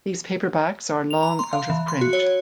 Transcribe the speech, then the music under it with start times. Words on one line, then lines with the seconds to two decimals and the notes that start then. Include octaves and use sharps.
These paperbacks are long out of print.
1.11 F7
1.23 A#5
1.39 C6
1.53 F5
1.70 E3
1.88 C6
2.01 F#4
2.13 C#5